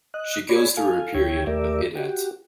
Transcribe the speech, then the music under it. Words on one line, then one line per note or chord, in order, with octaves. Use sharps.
She goes through her period of "iddat".
D#5 F#6
G#4 C#5 D5 B5 G#6
A4 F5 G#5
D2 E4 C#5 G5 G#6
D#2 A3 G4 A#4 D5 E5
F#4 G4